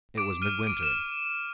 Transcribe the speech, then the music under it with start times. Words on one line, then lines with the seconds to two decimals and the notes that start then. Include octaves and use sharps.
It was midwinter.
0.17 D6 D7
0.42 F6 D#7
0.67 D6 D7
0.83 E7